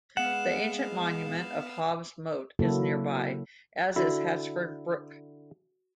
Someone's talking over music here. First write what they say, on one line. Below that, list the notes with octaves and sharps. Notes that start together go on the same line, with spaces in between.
The ancient monument of Hob's Moat is nearby, as is Hatchford Brook.
G#3 B3 F5 F#5 E7
C#3 F#3 A#3 E4 F#4 A4
D3 E4 F#4